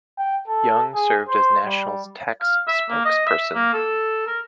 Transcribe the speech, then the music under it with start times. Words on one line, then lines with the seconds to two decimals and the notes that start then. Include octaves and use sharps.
Young served as National's tax spokesperson.
0.18 G5
0.48 A4
0.94 G#4
1.28 C5
1.66 G3
2.41 F5
2.67 E5
2.89 A#3
3.05 D#5
3.27 E5
3.54 A#3
3.73 A4
4.27 A#4